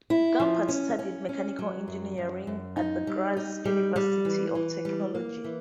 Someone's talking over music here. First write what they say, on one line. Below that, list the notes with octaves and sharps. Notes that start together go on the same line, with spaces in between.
Gumpert studied mechanical engineering at the Graz University of Technology.
E4
F3
C#4
C#4
C#4
F#3
F#2
F#2
F#2
D#4
G3
D#4
G3
G3
E3
E3
G3
A#3
E3